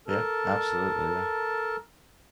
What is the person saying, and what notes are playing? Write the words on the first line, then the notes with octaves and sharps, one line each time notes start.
Yeah. Absolutely. Yeah.
A4 A#4 A5